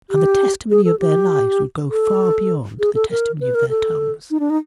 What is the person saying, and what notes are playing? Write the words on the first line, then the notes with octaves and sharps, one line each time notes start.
And the testimony of their lives would go far beyond the testimony of their tongues.
G4
G#4
A4
G4
A4
G#4
A4
A#4
B4
A#4
A4
D#4
D4
D#4